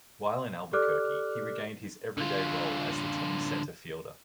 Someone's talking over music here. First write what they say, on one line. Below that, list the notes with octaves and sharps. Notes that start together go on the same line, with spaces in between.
While in Albuquerque, he regained his everyday role as the team's center fielder.
G4 A4 D5 D6 F6 F#6
D3 F4